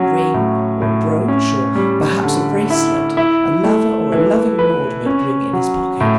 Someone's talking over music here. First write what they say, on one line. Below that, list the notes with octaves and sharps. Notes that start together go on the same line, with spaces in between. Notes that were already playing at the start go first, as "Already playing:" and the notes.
A ring, or brooch, or perhaps a bracelet, a lover or a loving lord may bring in his pocket.
Already playing: F#3 C#4
A2
A2
C#4
G3
D3
E4
E4
A3
E3
B4
C#4
F#3
A2